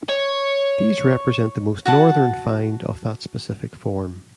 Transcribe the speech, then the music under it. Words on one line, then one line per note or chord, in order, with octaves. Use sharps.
These represent the most northern find of that specific form.
C#5
F#4 F#5 A5